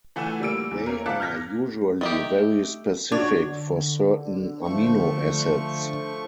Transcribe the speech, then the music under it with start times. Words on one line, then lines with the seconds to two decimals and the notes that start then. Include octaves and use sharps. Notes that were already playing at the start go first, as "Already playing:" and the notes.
They are usually very specific for certain amino acids.
0.16 E3 A3 F#5 G#5 E6 E7
0.40 G3 A#3 E6 D7
0.71 E2
0.86 A#3 C#4 A#4
1.06 F5 A5 D6 F#6 B6 C#7
1.20 F6 G6 G#6 A#6 B6
2.01 A3 D#4 G4
3.12 D4 F#4 C#5
3.42 D3
4.63 F3 A3 C#6